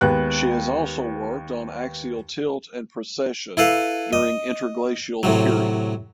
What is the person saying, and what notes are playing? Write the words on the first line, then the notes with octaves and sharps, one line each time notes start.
She has also worked on axial tilt and precession during interglacial period.
D#2 G#3 B3 F#6
E4 A4 B4 F5
D#5
A2 C3 F#3